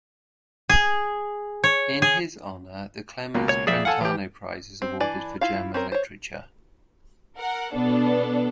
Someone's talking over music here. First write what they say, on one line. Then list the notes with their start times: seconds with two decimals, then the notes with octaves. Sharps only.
In his honor the Clemens-Brentano prize is awarded for German literature.
0.69 G#4
1.64 C#5
2.02 G#4
3.34 C#2 B2 A#3
3.49 C#5
3.67 F2 G#4 D5 E5
3.85 A4 F5 F#5 G#5 A5
4.01 E3 G4
4.82 C4
5.00 E3 D4 D5 G#5
5.41 E4 F4 F5
5.74 C4 C#4 A#4
5.92 C5 C#5
7.39 A#4 F#5
7.73 B2 B3 D4 A4